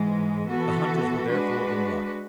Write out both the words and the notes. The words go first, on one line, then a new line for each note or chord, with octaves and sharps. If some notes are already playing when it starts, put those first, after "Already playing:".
The hunters were therefore in luck.
Already playing: G#2 E3 G#3
E3 B3 F#4 A4
G#3 D4 F#4 B4